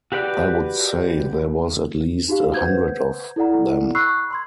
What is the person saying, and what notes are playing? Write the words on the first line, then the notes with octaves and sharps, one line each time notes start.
I would say there was at least a hundred of them.
F#4 G4 B4 D5 F#6
D#4 F#4 G4 F5
B4 C5 F#5 G6 G#6
E4 A4 D5 F#5 A#5
B5 C#6 E6 F#6 C7
B5 C6 G#6